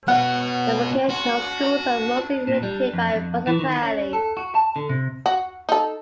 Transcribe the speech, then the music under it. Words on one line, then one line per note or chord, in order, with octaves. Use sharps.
The vocational schools are mostly maintained by municipalities.
B3 F#4 F#5
F#4
A#2
G3
F2
F2
E3
D#3
C#4
A4
F#4
A5
D3
C3
F#4
D#4 A4